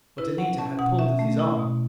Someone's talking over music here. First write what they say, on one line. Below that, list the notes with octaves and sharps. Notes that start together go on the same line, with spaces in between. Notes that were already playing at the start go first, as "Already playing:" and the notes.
But Anita had pulled at his arm.
E4 B4
C#4 F#5
C#4 A5
B2 F#5
C#4 E5
A3
E4
B2